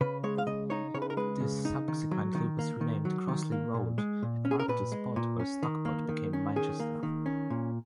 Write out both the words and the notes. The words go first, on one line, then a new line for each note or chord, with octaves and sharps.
This subsequently was renamed Crossley Road, and marked the spot where Stockport became Manchester.
C#3 B4
G#3 C#5
F5
C#3 D#5
D#4 C#5
C#3 C#5
B4
A#4
G#3 B4
C#3
D#4
D#3
F#3
D#3
A#3
D#3
F#3
D#3
A#3
A#2
G#3
A#2
C#4
G#4
A#4
A#2 B4
G#3
A#2
C#4
D#3
A#3
D#3
C#4
D#3 G#4
A#3
D#3
C#4
A#2